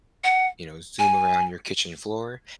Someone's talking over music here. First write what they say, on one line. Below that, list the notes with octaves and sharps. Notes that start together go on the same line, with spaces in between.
you know, zoom around your kitchen floor.
F#5
G#5